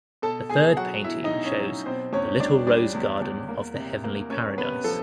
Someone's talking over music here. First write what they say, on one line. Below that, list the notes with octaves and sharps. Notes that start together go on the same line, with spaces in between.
The third painting shows "The Little Rose Garden of the Heavenly Paradise".
B2 A4 A5
B2 G#4 G#5
F#3 F#4 F#5
B2 E4 E5
D#4 D#5
B2
C#4 C#5
F#3
B2 C4 C5
E2 C#4 C#5
G3 D4 D5
G3 D4 D5
E2
E2
A#3
C3
A#3
A#3 C#4 C#5
C3 B3 B4
F3 A4